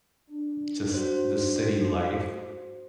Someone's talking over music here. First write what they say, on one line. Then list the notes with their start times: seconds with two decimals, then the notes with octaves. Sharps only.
just the city life,
0.30 D4
0.94 F#4 C5